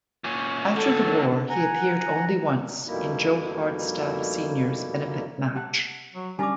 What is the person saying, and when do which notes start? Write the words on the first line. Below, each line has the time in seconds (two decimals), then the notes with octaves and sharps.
After the war he appeared only once, in Joe Hardstaff senior's benefit match.
0.24 A#2 C#4
0.76 D3 F#3 A4
1.50 F#5 G#5 A#5
2.87 F2 B2 G3 A#3 D#4 E4
5.55 G4 F#5 A5
6.13 F#3
6.39 G3 C#4 D4 D5 G#5 A#5 D6